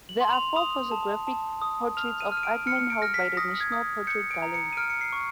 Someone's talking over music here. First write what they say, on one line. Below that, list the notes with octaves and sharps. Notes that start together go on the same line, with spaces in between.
There are four photographic portraits of Aikman held by the National Portrait Gallery.
F#7
C6
F#7
F7
D#6 F7
A5
A5
D#6
F6 F7
D#7
F6
D#7
D7
F6 C#7
D7
F6 A#6
B6
D#6 A#6
G#6
D#6
G6 C#7
D7
A#5
C#7
D#7
F6 D7
C#7
C7
C#6